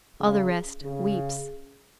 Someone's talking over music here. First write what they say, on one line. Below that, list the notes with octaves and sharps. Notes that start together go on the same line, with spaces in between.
All the rest weeps.
C#3
C#3